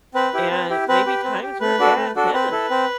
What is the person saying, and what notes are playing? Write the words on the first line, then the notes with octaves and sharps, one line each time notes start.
And maybe times were bad then,
C4 B4
E4 G4
C4
E4 G4
C4 B4
G4
C4
G4
A3 B4
D4 F#4 A4
A3
D4 F#4 A4
C4 B4
E4 A4
C4